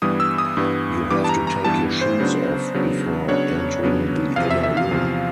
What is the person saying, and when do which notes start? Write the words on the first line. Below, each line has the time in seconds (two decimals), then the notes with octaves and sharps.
You have to take your shoes off before entering the inner room.
0.02 G2 E3 G3 B3 D#6
0.20 E6
0.38 D#6
0.57 G2 E3 G3 B3
1.11 G2 E3 G3 B3 D6
1.24 A5
1.29 A#5
1.47 A#5
1.65 G2 E3 G3 B3 A5
2.01 C5
2.20 C#3 F#3 B3 D4
2.74 C#3 F#3 B3 D4
3.28 C#3 F#3 B3 D4 C#5
3.83 C#3 F#3 B3 D4
4.36 E2 C3 F3 F5
4.51 E5
4.63 E5
4.77 F5
4.91 E2 C3 F3